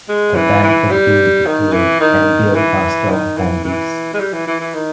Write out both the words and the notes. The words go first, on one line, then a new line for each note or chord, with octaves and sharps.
The band continued to tour, and build a strong fanbase.
G#3
E3
E3
G3
D#3
E3
D#3
E3
D#3
E3
E3
G#3
G3
E3
E3
E3
D#3